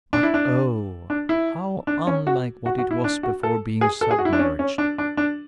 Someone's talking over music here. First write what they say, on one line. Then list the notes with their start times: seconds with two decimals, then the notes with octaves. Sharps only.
But, oh! how unlike what it was before being submerged!
0.13 D4
0.23 E4
0.34 D4
1.10 D4
1.29 E4
1.87 D4
2.07 C#4
2.27 F#4
2.66 F#4
2.78 F#4
2.91 E4
3.04 D4
3.23 F#4
3.43 A4
3.81 G#4
4.01 A4
4.11 G#4
4.19 F#4
4.25 E4
4.33 D4
4.39 C#4
4.59 C#4
4.78 D4
4.98 D4
5.17 D4